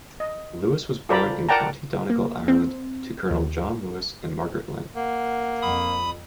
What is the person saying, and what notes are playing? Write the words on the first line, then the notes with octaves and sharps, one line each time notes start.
Lewis was born in County Donegal, Ireland, to Colonel John Lewis and Margaret Lynn.
D#5
F4 A4 C5 D5 A#5 B5
A#4 D5 F#5 G5 A5 A#5
A#3
C4
D#2
A#3 F#5
F2 B5 D#6